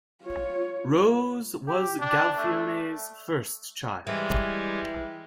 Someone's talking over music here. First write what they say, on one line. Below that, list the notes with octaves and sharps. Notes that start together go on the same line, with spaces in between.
Rose was Galfione's first child.
F4 C#5
G4
D4
A3
E3 G3 G#3